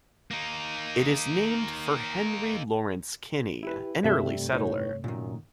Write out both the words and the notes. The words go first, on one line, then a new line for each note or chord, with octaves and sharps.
It is named for Henry Lawrence Kinney, an early settler.
A#3 D#4
E4 G4 B4
G2 C3 G3 A3 E5
A2 D#4 C#5
F#2 A#2 D#3